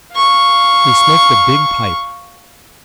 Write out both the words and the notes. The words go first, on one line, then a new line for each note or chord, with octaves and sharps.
He smoked a big pipe.
F5 C#6